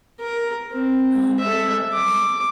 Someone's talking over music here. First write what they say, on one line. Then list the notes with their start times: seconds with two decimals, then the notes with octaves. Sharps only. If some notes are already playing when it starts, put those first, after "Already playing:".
Oh my gosh.
0.20 A#4
0.72 C4
1.40 A4 E5
1.92 D6